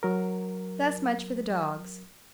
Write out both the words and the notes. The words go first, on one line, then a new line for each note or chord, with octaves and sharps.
Thus much for the dogs.
F#3 A#4